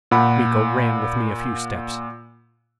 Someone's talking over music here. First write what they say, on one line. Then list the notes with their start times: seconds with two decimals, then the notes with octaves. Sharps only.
Miko ran with me a few steps.
0.11 A#2 F#5 B5